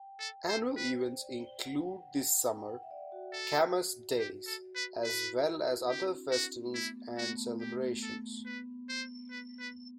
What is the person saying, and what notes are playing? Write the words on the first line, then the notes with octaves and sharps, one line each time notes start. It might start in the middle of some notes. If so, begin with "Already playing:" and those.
Annual events include the summer "Camas Days", as well as other festivals and celebrations.
Already playing: G5
A4
C5
B4 C5
D5
F#5
G5
F#5
G5
F#5
E5
D5
F#4
A4
F#4 G4
A4
B4
F#4
E4 B4
C4
D4 G4
F#4
A3
B3 E4
A3 F#4
B3
A3
G4
A4
B3 B4
C5
B4
B4